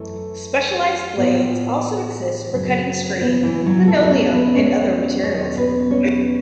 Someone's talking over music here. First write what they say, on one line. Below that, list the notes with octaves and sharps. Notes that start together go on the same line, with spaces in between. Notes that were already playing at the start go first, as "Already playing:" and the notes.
Specialized blades also exist for cutting string, linoleum, and other materials.
Already playing: F#2 E3 A3
A2 E3 B3
F#2 C#3 F#3
B3
E3 E4
F#3 F#4
E2 B2 F#3 A3 A4
E5
C#4 C#5
B3 B4
C#4 C#5
E2 B2 F#3 C#4 C#5
B3 B4
C#4 C#5